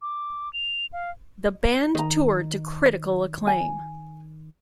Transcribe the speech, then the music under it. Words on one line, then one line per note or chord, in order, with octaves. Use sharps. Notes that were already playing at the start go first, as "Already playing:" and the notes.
The band toured to critical acclaim.
D6
F7
F5
D#3 D#5 A#5
G#5